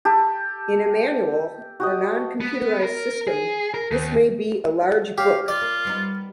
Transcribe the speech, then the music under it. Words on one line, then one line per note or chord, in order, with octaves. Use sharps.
In a manual or non-computerized system this may be a large book.
G4 A4
F#4 G4 D#5
B3
A#4
G#4
A#4
D#2
F#4 G4 C#5 F5
F4 D5
A#3
G3 B3 D#4